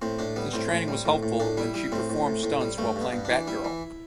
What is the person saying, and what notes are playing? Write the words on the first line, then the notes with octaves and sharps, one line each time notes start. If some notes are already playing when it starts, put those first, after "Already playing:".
This training was helpful when she performed stunts while playing Batgirl.
A2 C4
A2 D4
G3 B3
A2 C4
A2
G3
A2
A2
A2 D4
G3 E4
G3 E4
A2 C4
A2
A2
A2
G3
G2 A3
G2 B3
G2
D4
E3
G3 E4
E3